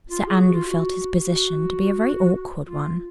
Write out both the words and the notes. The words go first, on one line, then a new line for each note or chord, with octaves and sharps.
Sir Andrew felt his position to be a very awkward one.
F4
G#4
F#4
F4
F#4
F#4
F4